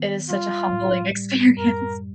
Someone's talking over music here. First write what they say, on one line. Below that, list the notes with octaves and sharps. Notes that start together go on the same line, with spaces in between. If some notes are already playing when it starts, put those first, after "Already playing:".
It is such a humbling experience.
Already playing: D#3 B3
G3 F4
A2
G3
F#2 A#4